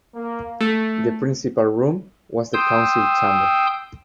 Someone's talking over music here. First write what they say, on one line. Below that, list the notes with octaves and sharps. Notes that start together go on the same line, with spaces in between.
The principal room was the council chamber.
A#3
A3
G5 C6 D#6 E6 G6